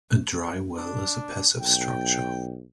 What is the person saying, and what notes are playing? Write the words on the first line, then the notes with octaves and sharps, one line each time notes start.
A dry well is a passive structure.
D4
B1 G5